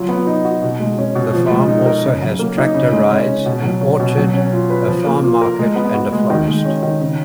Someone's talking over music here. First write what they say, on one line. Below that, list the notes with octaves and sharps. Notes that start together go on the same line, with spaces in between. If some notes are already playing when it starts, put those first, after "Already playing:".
The farm also has tractor rides, an orchard, a farm market and a florist.
Already playing: F#3 F4
B3
D#4
F#4
B2
G#3
C#4
B2
F3
G#3
D#4
A#4
C#3
F#3
A#3
D#4
C#3
G#3
C#4
C#3
B2
F#3
C#4
B2
F#3
C#4
F4
B4
F3
A#3
F4
A#4
G#3
B3
F#4
G#3
D#3
G#3
C#4
D#3
C#3